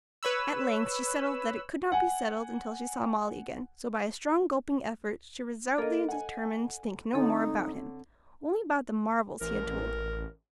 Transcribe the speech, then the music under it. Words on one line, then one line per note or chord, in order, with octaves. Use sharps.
At length she settled that it could not be settled until she saw Molly again; so, by a strong gulping effort, she resolutely determined to think no more about him, only about the marvels he had told.
B4 C#5 B5 E6
F#5 G#5
A#3 A4 A#4 D#5
F#5 G#5
D3 C4 D#4 A4 C#5
A1 A#4